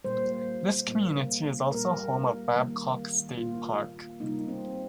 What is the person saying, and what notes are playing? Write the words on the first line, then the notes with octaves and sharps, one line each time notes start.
This community is also home of Babcock State Park.
A#2 G3 A#3 C5
A#2 G3 A#3
A#2 G3 A#3 A#4
D#3 G3 A#3
A#2 A#3 F4
C3 G3 A#3 D#4
C4